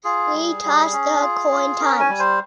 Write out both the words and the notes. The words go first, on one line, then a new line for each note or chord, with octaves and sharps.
We toss the coin times.
F4 G#4
G3
G3
C#4
F4
F4
C#4 A#4
G#5
G3
C5